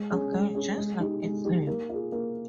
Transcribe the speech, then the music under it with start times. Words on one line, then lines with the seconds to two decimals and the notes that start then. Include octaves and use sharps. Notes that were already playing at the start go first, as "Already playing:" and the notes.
Again, just like its name.
Already playing: G#3
0.10 C#4 G#4
0.32 G#3
0.54 C#4 G#4
0.77 G#3
1.00 D#4 G4
1.22 G#3
1.45 D#4 G4
1.67 A#3
1.89 F4 G#4
2.12 A#3